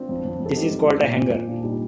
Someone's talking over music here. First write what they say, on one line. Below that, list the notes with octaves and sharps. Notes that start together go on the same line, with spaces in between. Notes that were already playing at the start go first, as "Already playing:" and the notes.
This is called a hanger.
Already playing: C4 D4 F4
F2
F2
F2
A4
G3 D#4 G4
F2
F2
A#2
C4
A#2
A#2 D4 F4
G3 D#4